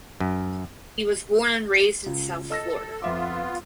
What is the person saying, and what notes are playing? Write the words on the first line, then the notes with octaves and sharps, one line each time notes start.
He was born and raised in South Florida.
F#2
C#2
A4 D#5 E6 A#6
F2 B3 F4 E5 D6